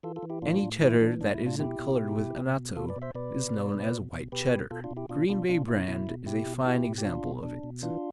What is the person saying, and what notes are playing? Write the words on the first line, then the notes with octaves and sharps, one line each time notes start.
Any Cheddar that isn't colored with anatto is known as White Cheddar. Green Bay brand is a fine example of it.
E3 F4 A4
F4 A4
E3
E4 G4
A2 D4 F4
A2
E3 E4
E3 D4
A2 D4
E4
A2
D4 F4
B2 E4 G4
B2
B2
B2
B2
B2
B2 F4 A4
B4 D5
B2
C5 E5
B2 B4 D5
B2
B2
B2
B2
B2
B2 G4 B4
B2
B2 F4 A4
D4 F4
B2
E4 G4
B2 D4 F4
B2 D4 F4
B2 D4 F4
B2 E4
B2 E4
B2
B2 E4 G4
B2
B2 E4 G4
B2
G4
B2 D4 F4
B2
B2 D4
B2
E3 D4 F4